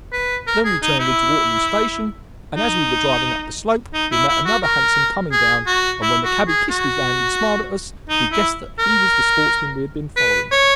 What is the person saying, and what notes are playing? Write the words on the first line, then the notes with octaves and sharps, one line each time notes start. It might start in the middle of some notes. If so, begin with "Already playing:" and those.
Then we turned into Waterloo Station, and, as we were driving up the slope we met another hansom coming down; and when the cabby kissed his hand and smiled at us, we guessed that he was the sportsman we had been following.
B4
A#4
G#4
D#4
E4
D#4
D#4
E4
E4
F#4
A#4
G#4
F#4
E4
F#4
G#4
F#4
D#4
E4
A#4
B4
C#5